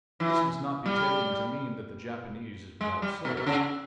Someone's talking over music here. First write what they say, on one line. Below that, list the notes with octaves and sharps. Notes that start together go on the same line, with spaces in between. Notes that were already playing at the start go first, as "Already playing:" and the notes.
This must not be taken to mean that the Japanese is without soul.
E3
G3
G#3
G3
B2
B2
C#3